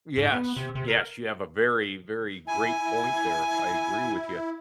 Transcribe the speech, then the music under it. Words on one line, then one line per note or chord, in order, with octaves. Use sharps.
Yes, yes, you have a very, very great point there. I agree with ya.
G#2
B3
C3
C3
A#4
E4 G#5